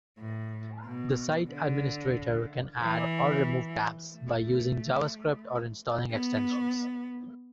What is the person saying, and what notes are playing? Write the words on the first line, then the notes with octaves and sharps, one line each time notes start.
The site administrator can add or remove tabs by using JavaScript or installing extensions.
A2
B2
D3
E3
A3
B3